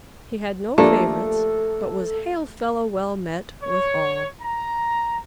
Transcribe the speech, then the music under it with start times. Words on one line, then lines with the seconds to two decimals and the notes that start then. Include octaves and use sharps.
He had no favorites, but was hail-fellow-well-met with all.
0.78 F3 A3 A#3 D4 G4 A4 D5 A5
3.62 C#5
4.42 A#5